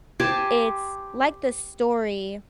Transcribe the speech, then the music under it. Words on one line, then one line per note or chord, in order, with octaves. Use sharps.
it's like the story
G4 C5 G#5 A5